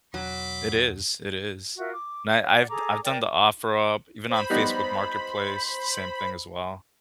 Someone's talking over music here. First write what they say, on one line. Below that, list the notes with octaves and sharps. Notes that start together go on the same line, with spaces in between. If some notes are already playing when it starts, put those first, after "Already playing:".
It is. It is. And I I've d I've done the OfferUp, even on Facebook marketplace, same thing as well.
E1 F#3 B5 C6 D6
F4 F#4 A#4 E5
D6
C#5
G4 D5 F#5
G#4 A4 A#5 D6
A#4 D5 G5
C5 B5
G3 B3 D#4